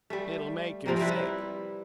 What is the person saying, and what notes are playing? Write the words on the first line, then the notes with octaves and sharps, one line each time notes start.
"It'll make him sick."
G3 A3
C3 F3 G3 A#3
G3 E4 B4